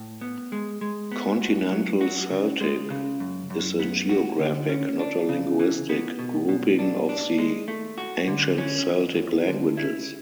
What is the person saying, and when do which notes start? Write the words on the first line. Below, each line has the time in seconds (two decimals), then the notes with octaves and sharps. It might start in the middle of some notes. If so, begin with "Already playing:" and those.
"Continental Celtic" is a geographic, not a linguistic, grouping of the ancient Celtic languages.
Already playing: A2
0.21 B3
0.52 G#3
0.81 G#3
1.11 B3
1.42 F#4
1.71 F#3
2.01 F#4
2.31 C#3
2.61 G#3
2.90 C#3
3.20 F#2
3.50 F#2
3.80 B3
4.09 F#4
4.39 D3
4.69 C#4
4.99 D4
5.29 C#3
5.59 E3
5.89 B3
6.19 B2
6.49 B2
6.79 D4
7.09 D4
7.39 G#3
7.68 A3
7.98 F#4
8.27 D3
8.58 C#4
8.87 E2
9.17 E2
9.47 D2
9.77 E4